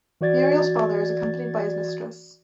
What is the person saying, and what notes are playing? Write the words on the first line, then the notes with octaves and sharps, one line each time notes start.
Muriel's father is accompanied by his mistress.
E3 F#4 D5 G#6 A6